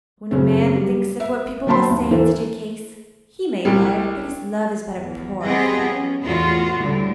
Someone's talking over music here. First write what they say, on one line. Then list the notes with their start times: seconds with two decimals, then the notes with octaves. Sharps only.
When a man thinks of what people will say in such a case, he may love, but his love is but a poor affair.
0.31 F#2 C#3 C4
0.75 G3
1.20 E5
1.66 D3 F#3 A#3 A5 B5 C6
1.90 D#2
2.11 E3 A#3 E4 A4 C5
3.65 C2 G3
5.00 E2
5.43 G3 B3 C4 G4 G#4 D#5
5.84 C#4
6.21 E2 A2 B3 F4 F#4
6.79 D2 A2 D3 G3